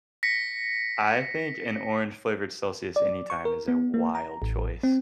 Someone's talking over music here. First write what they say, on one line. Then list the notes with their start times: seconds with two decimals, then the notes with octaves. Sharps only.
I think an orange-flavored Celsius anytime is a wild choice.
0.23 A#6 B6 C#7
2.96 D5
3.30 C#6
3.45 A#4
3.68 B3
3.94 A#3
4.15 A#5
4.42 A1
4.83 C4